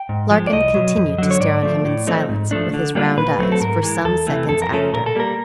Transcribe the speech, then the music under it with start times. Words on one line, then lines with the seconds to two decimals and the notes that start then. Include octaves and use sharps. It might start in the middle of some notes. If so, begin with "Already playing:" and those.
Larkin continued to stare on him in silence, with his round eyes, for some seconds after.
Already playing: G5
0.09 G#2
0.31 F3 G#3
0.47 D5
0.53 C2 D#5
0.74 B2 F#3
0.96 F2
1.18 D3 F#3
1.31 C#5
1.40 G#2 D5
1.63 F3 A3
1.85 A2
2.07 F3 A3 C4 D#4
2.29 G#2
2.51 F3 A3 D4
2.74 D3
2.95 G3 A#3 D4 F4
3.17 A#2 B4
3.39 F#3 A3 C4
3.52 A4
3.61 G#2 A#4
3.83 E3 G#3
4.05 E2 A4
4.27 C3 E3 A3
4.49 F2 A4
4.62 A#4
4.72 C#3 F3 A3 C#4 A4
4.94 A#2 A#4
5.06 A4
5.15 G3 A#3 A#4